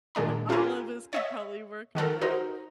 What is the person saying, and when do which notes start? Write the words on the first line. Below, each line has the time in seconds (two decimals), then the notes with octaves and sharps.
all of us could probably work on that.
0.15 A#2 D#3 G#3 D4 A#5
0.49 C#4 F4 G4 A4 A#4 G#5
1.13 C#5 D#5 E5
1.95 D#3 F#4 A4 A#4
2.21 D#4 F#4 A#4 C5